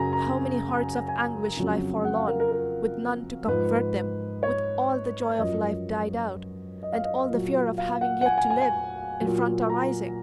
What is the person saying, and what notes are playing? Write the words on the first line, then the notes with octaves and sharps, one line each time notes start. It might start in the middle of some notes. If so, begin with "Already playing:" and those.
How many hearts of anguish lie forlorn, with none to comfort them, with all the joy of life died out, and all the fear of having yet to live, in front arising!
Already playing: F#2 C#3 F#3 G#5 A#5
A#5
G#5
F2 C#3 F#3
F#5
F5
A#4
A#4
A#4
G#2 F3 B4
C#5
F#2 F3 D#5
D#5
F5
D#5
A#2 F#3
F5
F#5
F#5
G#5
G#5
G#5
G#5
A#2 F#3
A#5